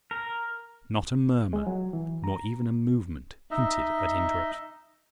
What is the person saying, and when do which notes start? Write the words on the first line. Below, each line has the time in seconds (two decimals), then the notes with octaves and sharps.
Not a murmur nor even a movement hinted at interruption.
0.11 A#4
1.53 G#3
1.67 F#3
1.93 E3
2.24 A#5
3.51 D#4 D#5 E5